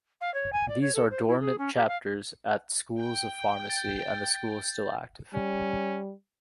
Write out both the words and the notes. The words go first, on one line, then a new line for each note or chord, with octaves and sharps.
These are dormant chapters at schools of pharmacy, and the school is still active.
F5
C#5
G#5
D5
C#5
A4
C5
E4
G#4
C#4
G4
F5
G5
G6 A6
G3 C#4